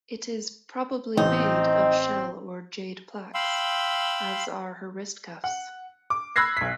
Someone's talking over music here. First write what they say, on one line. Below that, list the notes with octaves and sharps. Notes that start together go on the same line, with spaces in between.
It is probably made of shell or jade plaques, as are her wrist cuffs.
A1 C4 D#4
F5 G5 B5 C6 E6
F#5
D6
B5 E6 F#6 G#6 A#6 C7
B1 B6